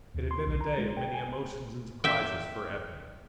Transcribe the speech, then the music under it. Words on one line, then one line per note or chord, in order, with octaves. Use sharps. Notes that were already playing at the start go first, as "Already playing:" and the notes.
It had been a day of many emotions and surprises for Ethne.
D#2
C6
B1
A#5
G#3
G5
G#5
E5 G5